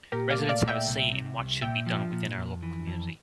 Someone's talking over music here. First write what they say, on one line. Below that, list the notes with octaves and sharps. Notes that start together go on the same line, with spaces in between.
Residents have a say in what should be done within our local community.
A#2 G4 A#4
D5 F5
A3
D5 F5
A#2
E5 G5
C2
C3
C2
A#2 E5 G5
F3
A#2
F2
E3
F2